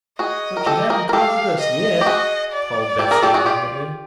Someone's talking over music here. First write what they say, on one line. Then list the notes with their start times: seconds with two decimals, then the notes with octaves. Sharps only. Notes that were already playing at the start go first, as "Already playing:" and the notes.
"But you haven't conquered us yet," called Betsy indignantly.
0.19 F#4 G#4 D#5
0.57 A#4
0.66 G4 A4
0.90 G#4 A#4
1.09 A#4
1.13 G4 A4 F5
1.60 D#5
2.01 G4
2.06 F#4 G#4
2.53 D5
2.99 G4 A4
3.11 G#4 A#4
3.22 G4 A4
3.34 F#4 G#4
3.46 F4 G4